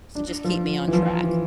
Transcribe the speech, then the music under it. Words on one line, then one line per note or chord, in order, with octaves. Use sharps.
to just keep me on track.
D4
F3
E3
F3
E3